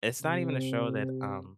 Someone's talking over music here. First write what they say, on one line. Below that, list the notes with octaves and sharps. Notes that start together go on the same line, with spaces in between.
it's not even a show that, um,
C3